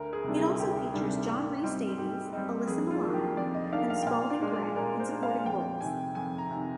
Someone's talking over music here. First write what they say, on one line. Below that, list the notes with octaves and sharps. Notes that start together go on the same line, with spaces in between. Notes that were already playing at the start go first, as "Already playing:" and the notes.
It also features John Rhys-Davies, Alyssa Milano, and Spalding Gray in supporting roles.
Already playing: D2 A#4
G#4
C3 D#3 G3 D4
G#4
D2 G4
C3 D#3 G3 D4
G#2
G3 C4 D#4
G#2 G4
G3 C4 D#4
F2 G#4
F4
D#3 A#3 D4
G4
F2 D5
D#5
D#3 A#3 D4 F5
F5
G5
A#2 F5
D5
G#3 D4
D5
A#2 A#4
C5
G#3 D4
F5
F2 G5
C3 D#3 G#5
F2 G#5
A#5
C3 D#3